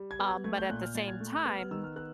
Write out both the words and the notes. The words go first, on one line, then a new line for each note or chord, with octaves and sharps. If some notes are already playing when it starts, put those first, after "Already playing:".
um, but at the same time,
Already playing: G3
G#6
B3
G#6
A3 G#6
G6
A#2 F#6
F6
A#2 A6
G#6
A3
F#6
B3 F6
F6
D#3 E6
F6
B3 F#6